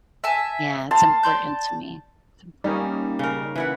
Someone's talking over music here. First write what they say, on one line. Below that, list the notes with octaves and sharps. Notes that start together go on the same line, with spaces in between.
Yeah, it's important to me, it's important.
E5 G#5 A5
A#3 A5 C6
D5 C6 G6
G3 A#3 C#4 D#4
C#3 A#4
E3 E4 F#5